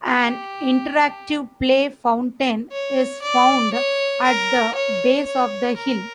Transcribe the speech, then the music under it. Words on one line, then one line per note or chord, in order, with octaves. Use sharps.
An interactive play fountain is found at the base of the hill.
G4
C#5
D5
C#5
A#4
C#5
C#5
A#4